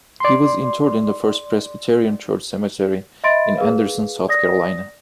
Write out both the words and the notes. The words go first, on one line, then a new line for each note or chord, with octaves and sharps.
He was interred in the First Presbyterian Church Cemetery in Anderson, South Carolina.
D5 C6
D#5 E5 B5 C6 A6 D7
G#4 A#4 B4 F5
D5 D#6 A#6